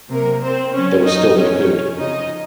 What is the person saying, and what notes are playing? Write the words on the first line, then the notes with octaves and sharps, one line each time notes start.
There was still no food.
C3 F#3 A#3 A#4
C4 C5
C#3 F#3 C#4 C#5
D#4 D#5
C3 F3 C#4 C#5
C#3 F3 D#4 D#5